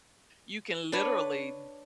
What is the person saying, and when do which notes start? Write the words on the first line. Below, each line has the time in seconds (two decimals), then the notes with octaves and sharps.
you can literally
0.92 D4 B4 C#5